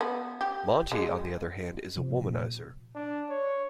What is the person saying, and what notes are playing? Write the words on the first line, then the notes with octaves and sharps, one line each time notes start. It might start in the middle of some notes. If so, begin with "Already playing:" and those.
Monte, on the other hand, is a womanizer.
B3
G4
G#3
C3 F3
A#2
D4
C#5